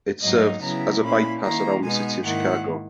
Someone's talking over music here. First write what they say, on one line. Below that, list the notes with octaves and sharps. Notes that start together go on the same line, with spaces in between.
It serves as a bypass around the city of Chicago.
G#2 F#3 A#3 D#4 D#5
C#3 F#3 B3 E4 A#5
A#2 A#3 C#4 E4 B5
D#3 A#3 E4 A#5
B2 G#3 B3 D#4 G#5
G#2 D#3 A#3 E4 F#5